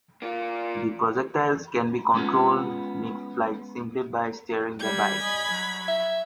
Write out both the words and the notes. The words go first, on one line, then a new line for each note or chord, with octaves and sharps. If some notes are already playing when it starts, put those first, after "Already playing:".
The projectiles can be controlled mid-flight simply by steering the bike.
A#3 F4
G#3 B3 C#4 F4 G#4
G3 B5 G#6
D#5 G#5
F#3
E5